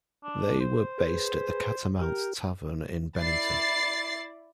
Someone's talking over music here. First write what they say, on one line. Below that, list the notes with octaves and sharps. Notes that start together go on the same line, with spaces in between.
They were based at the Catamount Tavern in Bennington.
D4
C5
G#4 B4
G4 A#4
E4 D5 A6 C7